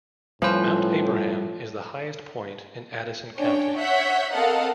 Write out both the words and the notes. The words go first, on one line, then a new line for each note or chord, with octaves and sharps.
Mount Abraham is the highest point in Addison County.
A2 F3 G3 C#4 B4 C5
C#4 D4 C#5 G5
C#5 E5 F#5 G6 B6
C4 A4 A#4 D#5 F5 F#5